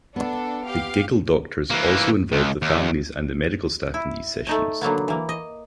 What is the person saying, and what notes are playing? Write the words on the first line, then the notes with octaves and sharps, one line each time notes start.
The Giggle Doctors also involve the families and the medical staff in these sessions.
B3 D4 A4
G4 F5
E3 A#3
C#2
D#2
E4
A3 D#4 C#5
D3 F#3 A#3 B3
E3 A#3
D#5